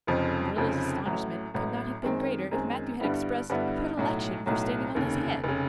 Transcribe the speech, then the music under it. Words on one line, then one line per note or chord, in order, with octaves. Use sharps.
Marilla's astonishment could not have been greater if Matthew had expressed a predilection for standing on his head.
F1 F2 C#3 F3
F1 F2 C#3 F3
A1 A2 F#3
A1 A2 F#3
F#2 D#3 G#3 C4
F#2 D#3 G#3 C4
G2 D3 G3 B3 E4
G2 D3 G3 B3 E4
B1 A2 F#3
B1 A2 F#3
F1 D#2 C#3
F1 C#3